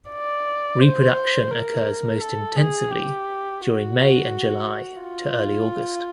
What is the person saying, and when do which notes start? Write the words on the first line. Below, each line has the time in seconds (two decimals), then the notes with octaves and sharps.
Reproduction occurs most intensively during May and July to early August.
0.10 D5
0.81 C5
1.51 A#4
2.21 A4
2.56 G#4
2.91 G4
3.61 F#4
5.02 F4